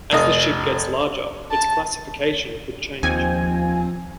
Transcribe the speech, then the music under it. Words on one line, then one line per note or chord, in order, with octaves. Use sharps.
As the ship gets larger, its classification could change.
F1 D#5
A5
D#2 F3 C4 G#5